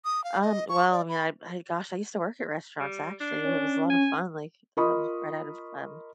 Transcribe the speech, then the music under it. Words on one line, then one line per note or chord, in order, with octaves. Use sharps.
Um, well, I mean, I I, gosh. I used to work at restaurants, actually. It it was a lot of fun, like, um, right out of, um
D#6
F5
D#5
C#6
D5
B5
G3
D4 C7
C#4
G#5
F4 A#4 D#5 B5 C#6 D#6